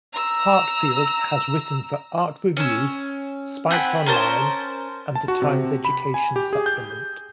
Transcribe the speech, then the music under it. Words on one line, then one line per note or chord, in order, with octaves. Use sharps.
Heartfield has written for "Art Review", Spiked Online, and "The Times Education Supplement".
A#5 E6
C#4 E6
C4 F#5 G#5 B5
C#4 A#4 C5 A5
A5
F#4
C3
B5
G#5
G4
G#4
G6